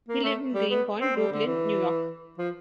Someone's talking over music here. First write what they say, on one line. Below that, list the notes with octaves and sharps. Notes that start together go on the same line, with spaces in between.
He lived in Greenpoint, Brooklyn, New York.
A#3
A3
G3
B3
C4
G3
D3
E3
F3